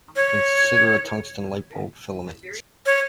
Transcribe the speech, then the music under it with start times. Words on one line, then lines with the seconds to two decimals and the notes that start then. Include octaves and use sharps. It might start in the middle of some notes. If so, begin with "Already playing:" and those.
Consider a tungsten light-bulb filament.
0.16 C#5
2.86 C#5